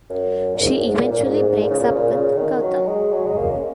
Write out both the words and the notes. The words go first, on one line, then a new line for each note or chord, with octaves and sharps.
She eventually breaks up with Gautham.
F#2
A#2
G#2
F#2
G#2
A#2
A#2
G#2
G#2
G#2
A#2
C#3
A#2
C#3
A#2
C#3
D#3
F#3
G#3
F#3
G#3
A#3
C#4